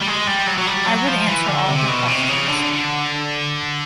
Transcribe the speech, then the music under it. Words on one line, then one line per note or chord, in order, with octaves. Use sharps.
I would answer all her questions.
G3
G#3
G3
F#3
F#3
G3
F#3
F3
E3
D3
C3
B2
C3
C#3
D3